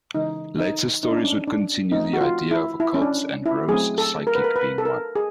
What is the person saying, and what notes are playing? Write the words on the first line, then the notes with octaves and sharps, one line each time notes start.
Later stories would continue the idea of Occult and Rose Psychic being one.
C#3 E3 G#3 D#4
D#4
D#4
D4
C#4
D4
D4
F3 A3 C4 D#4
F#4
F4
E4
E4
C#4
D4
E4
F#3 A3 C4 G#4
A4
A#4
B4
A#4
B4
A4
A#4
G#4